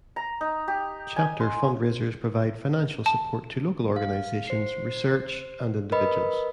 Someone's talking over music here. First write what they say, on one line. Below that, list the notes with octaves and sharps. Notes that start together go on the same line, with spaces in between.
Chapter fundraisers provide financial support to local organizations, research, and individuals.
A#5
D#4
G4
G#5
C6
A5
F5
C5 C7
A#4 B4 D#5 B5